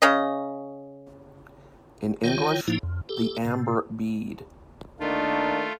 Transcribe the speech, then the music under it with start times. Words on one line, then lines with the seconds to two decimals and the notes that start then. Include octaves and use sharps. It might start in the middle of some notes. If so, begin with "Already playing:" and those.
In English, The Amber Bead.
0.02 C#3 C#4 D#5
2.24 D#3 F4 C#5 G5
2.68 A2 F3 A#3 D#4 E4
2.83 F2
3.09 G4 A4
3.45 A2 C3
5.00 D#3 A3 A#3 D4 F4